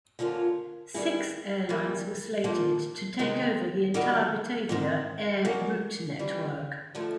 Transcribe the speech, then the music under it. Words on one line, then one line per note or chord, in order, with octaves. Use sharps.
Six airlines were slated to take over the entire Batavia Air route network.
D3 F3 A#3 C#4 F4
D#3 G3 B3 E4 G#4
G2 E3 G3 A#3
A#2 F3 A#3
C3 D#3 G#3 C4
D#3 G3 A#3 D#4 F#4
G#2 D#3 G#3 C4
F#3 A#3 C#4 F#4
E3 G3 C4
D3 F3 A3